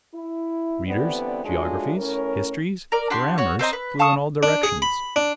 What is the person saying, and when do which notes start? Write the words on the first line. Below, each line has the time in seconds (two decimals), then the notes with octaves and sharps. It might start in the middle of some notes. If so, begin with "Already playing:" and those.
Readers, geographies, histories, grammars flew in all directions.
0.14 E4
0.86 G2 D3 E3 B3 C4 D5
1.45 F#3 G#3 A3 D4 F4 F#4
1.97 A2 C#4 A#4
2.92 A#4 D5
3.10 D4 F#4 G4 C6
3.38 F#4 C#5
3.59 C4 C5 D#5 A#5
3.73 B4
3.99 F5 A5 C#6 D#6
4.43 D4
4.63 G#4
4.82 B5
5.16 D4